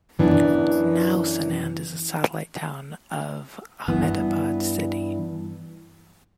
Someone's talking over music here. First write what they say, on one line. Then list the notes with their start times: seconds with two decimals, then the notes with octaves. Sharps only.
Now, Sanand is a satellite town of Ahmedabad city.
0.19 F#2 E3 B3 D4
3.88 G2 E3 B3